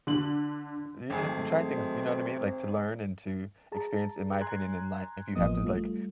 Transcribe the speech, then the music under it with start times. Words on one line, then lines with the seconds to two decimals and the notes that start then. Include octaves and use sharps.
you can you try things, you know what I mean? Like, to learn, and to experience in my opinion in life, if you have to, like,
0.07 D3 F#7
1.10 G#1 F#3 G#3 A3 C4 G#4
3.72 G#4 A5 A#5
4.41 G#5 A#5 C6 F#6 G#6
5.35 A1 F3 A#3 B3 D#5 D#6
5.65 G3 A3 F4